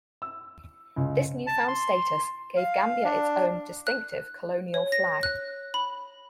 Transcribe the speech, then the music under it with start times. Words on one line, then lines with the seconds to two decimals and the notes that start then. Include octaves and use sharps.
This newfound status gave the Gambia its own "distinctive" colonial flag.
0.22 E6
0.96 C#2
1.47 A5
1.68 C6
2.57 F5
3.04 D4
3.87 F#6
4.74 C#5
4.92 A#6
5.23 F#6
5.74 B5